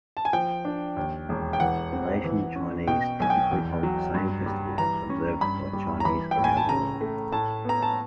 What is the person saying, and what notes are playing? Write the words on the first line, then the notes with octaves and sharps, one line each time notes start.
Malaysian Chinese typically hold the same festivals observed by Chinese around the world.
A5
G#5
F3 G5
D4
D#2
E1
G5
E3 F#5
C4
E3
C#4
B2 G5
B1 G#5
G5
E2
F#3
G2
G3
E3 A#5
C#4
G2 B5
G3
A#5
E3 B5
G5
A2
G#5
A5
C#3 A#5
A3
A2 A5
B3 A#5
A5